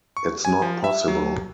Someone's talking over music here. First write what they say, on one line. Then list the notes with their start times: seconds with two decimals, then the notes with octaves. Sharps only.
It's not possible.
0.17 C#6
0.45 G#5
0.62 F3
0.84 E5
1.08 F#3